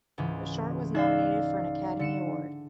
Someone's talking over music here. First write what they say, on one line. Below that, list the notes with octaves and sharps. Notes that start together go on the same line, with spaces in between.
The short was nominated for an Academy Award.
C#2 G#2 E3
D#4 D5 E5 F5 E6 F#6
D3 C#7 E7